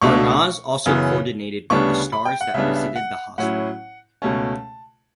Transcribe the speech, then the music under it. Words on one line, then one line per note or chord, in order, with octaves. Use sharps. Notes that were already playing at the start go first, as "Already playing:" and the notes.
Arnaz also coordinated with the stars that visited the hospital.
C#2 B2 A3 D4 C#6
F#2 C#3 E3 B3
D2 C#3 G3 B3 D4 C#6
B5
G5
F#5
C#2 C#3 G3 B3 D4 E5
E5
F#5
A2 F#3 C#4 E4 F#5
C#2 B2 A3 C#4 A5